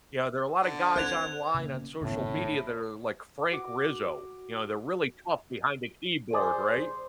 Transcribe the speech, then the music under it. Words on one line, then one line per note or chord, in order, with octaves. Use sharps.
You know, there are a lot of guys online on social media that are like Frank Rizzo, you know, they're really tough behind the keyboard, right?
D3
C5 F#6 G#6 F7
C#3 A#3
G#1 A2 C#3 B3
F#4 D6
G#4 C5 D5